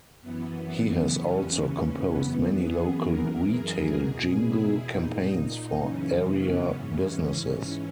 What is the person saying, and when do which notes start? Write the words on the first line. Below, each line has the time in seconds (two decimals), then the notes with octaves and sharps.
He has also composed many local retail jingle campaigns for area businesses.
0.22 F#2 E3 B3
1.15 E2 C#3 E3 C#4
2.08 F#2 E3 B3
2.55 G#4
3.02 F#2 E3 A#4
3.48 G#4
3.96 E2 B2
4.42 E4
4.88 A#2 D#4
5.81 F#2 C#3 E3 C#4
6.28 B3
6.75 G#2 E3 C#4